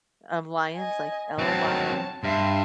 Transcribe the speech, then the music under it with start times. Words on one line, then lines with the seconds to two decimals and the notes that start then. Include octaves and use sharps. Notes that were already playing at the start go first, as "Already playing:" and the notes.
um, Lyons, like L-Y
0.76 D#5 G#5
1.39 F#3 C4 C#5 A5
2.24 G2 E5 C6